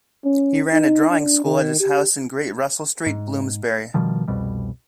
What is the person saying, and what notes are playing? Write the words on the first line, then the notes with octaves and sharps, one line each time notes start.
He ran a drawing school at his house in Great Russell Street, Bloomsbury.
C#4
D#4
D4
D#3
G4
G#2
B2 D#3 F3 G3
C2 F2 B2 G3